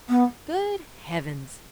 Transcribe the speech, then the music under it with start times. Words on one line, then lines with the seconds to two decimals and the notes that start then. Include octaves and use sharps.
"Good Heavens!"
0.09 B3